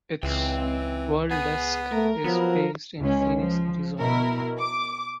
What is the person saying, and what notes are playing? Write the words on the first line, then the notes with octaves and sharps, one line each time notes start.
Its "World Desk" is based in Phoenix, Arizona.
C#2 E3 C4 G5
B3 G#4
A3 A#4
F3 F#3 B3
C#2 C#4
F3
B2 E4 A#4
D6